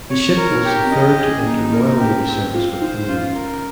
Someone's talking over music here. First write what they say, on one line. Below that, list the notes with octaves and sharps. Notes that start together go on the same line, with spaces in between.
The ship was the third to enter Royal Navy service with the name.
C4 C#5
A#4
D#4
G4
C4
C#4 D#5
C#4 G#4
A#3 D#4
A#3 A#4
C#4 G4
C4
F4 F5
D#4 C5
C#4 F4
A#4